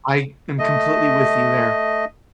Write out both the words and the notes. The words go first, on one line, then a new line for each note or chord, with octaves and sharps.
I am completely with you there.
A3 D#5